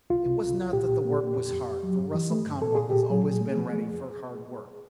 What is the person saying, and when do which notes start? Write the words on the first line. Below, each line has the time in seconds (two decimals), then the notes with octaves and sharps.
It was not that the work was hard, for Russell Conwell has always been ready for hard work.
0.10 C2 F4
0.26 C3
0.42 C2
0.58 C2
0.73 A#2 G4
0.89 A#2
1.05 A#3
1.20 A#2
1.36 F2
1.52 F2
1.68 F2
1.83 F#3
1.99 G2
2.15 E3
2.30 A3
2.46 G2
2.61 A#2 A4
2.75 A#2 G#4
2.90 A#2 G4
3.03 G#4
3.09 F#3
3.24 A#2 G#4
3.41 A3
3.56 F3
3.72 A3
3.88 F2